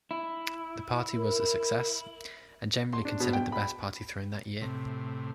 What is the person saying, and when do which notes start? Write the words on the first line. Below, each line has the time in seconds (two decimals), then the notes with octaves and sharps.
The party was a success and generally considered the best party thrown that year.
0.11 E4
1.15 A#4
2.93 C6
3.05 D4
3.20 B2
3.33 G5
3.52 B5
4.62 A2 C3